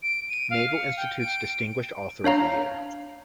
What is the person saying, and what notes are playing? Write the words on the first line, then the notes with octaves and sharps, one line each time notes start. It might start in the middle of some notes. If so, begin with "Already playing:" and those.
Naval Institute's Distinguished Author of the Year.
D7
D#7
F5
C#7
G5
D7
D4 C#5 F5 A#5